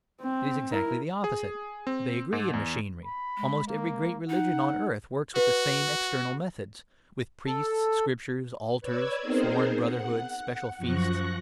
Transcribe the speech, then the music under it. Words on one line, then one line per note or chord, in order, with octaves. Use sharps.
It is exactly the opposite. They agree in machinery; almost every great religion on earth works with the same external methods, with priests, scriptures, altars, sworn brotherhoods, special feasts.
C4
E4 A#4
G#4
C4
G#2
E2
B5
G#3
A#3
D#4 F#5
F#4 B4
A4
B4 C#5 D5 E6 G#6
B3 C4 D#4 G#4 A#4 C5
F#5
F#2 F3 C#6 F#6 A#6